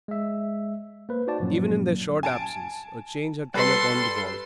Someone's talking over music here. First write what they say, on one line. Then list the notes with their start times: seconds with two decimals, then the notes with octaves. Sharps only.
Even in their short absence a change had come upon the ball.
0.08 G#3 E5
1.09 A#3 B4 C5
1.27 D#4 F#4 C5 D5 A5
1.40 G2 A#2 F3 F#3 A#3 C#4
2.23 G#5 A5 D7
3.54 G3 A4 B4 C6 C7